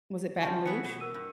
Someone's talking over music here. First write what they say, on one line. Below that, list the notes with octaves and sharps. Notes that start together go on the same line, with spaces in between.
Was it Baton Rouge?
A2 C#3 F3 F#5 A5 C#6
E3 B3 F#4 C#7
B2
A#4 E6 D#7
G2